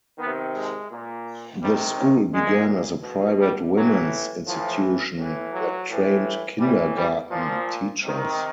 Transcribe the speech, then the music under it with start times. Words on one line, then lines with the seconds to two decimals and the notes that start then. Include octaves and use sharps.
The school began as a private women's institution that trained kindergarten teachers.
0.18 C3 D#3 B3
0.54 G#3
0.91 A#2
1.61 C3 D#3 G3
1.97 C#4
2.32 A#2 G#3
3.04 B2
3.40 G3
3.74 A2 E3 F#3
4.46 A2 E3 F3
5.17 A2 E3
5.53 F#3
5.88 A2 E3
6.59 A2 E3 G3
6.95 G3
7.31 A#2 F3
8.01 C3 D#3